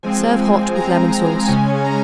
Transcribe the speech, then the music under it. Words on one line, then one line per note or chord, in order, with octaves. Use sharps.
Serve hot with lemon sauce.
F3 G#3 C4 G#5
A#5
C#3 G#3 C#4 G#5
A#5